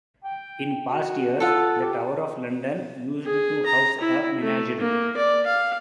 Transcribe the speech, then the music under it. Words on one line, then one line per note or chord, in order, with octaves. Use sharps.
In past years, the Tower of London used to house a menagerie.
G5
F#4
F4 A4 F#5
G4
G#4
A#5
E4
A3
A#3
D5
F5